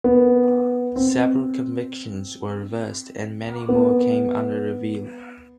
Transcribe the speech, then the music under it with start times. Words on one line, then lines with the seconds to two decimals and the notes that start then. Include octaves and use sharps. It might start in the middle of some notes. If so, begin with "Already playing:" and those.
Several convictions were reversed, and many more came under review.
0.04 B3
0.96 C4
3.69 B3